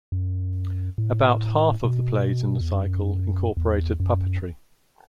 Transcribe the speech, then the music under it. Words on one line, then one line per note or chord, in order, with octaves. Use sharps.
About half of the plays in the cycle incorporated puppetry.
F#2
A2
B2
E2
F#2
E2
F#2